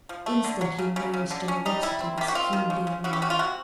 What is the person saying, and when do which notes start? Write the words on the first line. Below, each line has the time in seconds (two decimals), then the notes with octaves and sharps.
Instantly Mary's generosity was keenly alive.
0.09 F3
0.26 A3
0.44 D3
0.61 F#3
0.78 C#3
0.96 C#3
1.14 C#3
1.31 D3
1.48 C#4
1.65 G3 D#4
1.82 G3 E4
2.00 C4
2.18 D#3 G4
2.28 F#4
2.35 C4 F4
2.53 D#3
2.70 C#3
2.87 C#3
3.04 C#3 F#4
3.13 G4
3.22 C#3 F#4
3.30 F4
3.39 C3 F#4